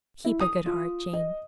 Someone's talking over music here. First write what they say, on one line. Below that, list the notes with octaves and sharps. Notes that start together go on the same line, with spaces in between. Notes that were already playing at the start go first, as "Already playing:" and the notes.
'Keep a good heart, Jane.
E4
D#6
F4
D#5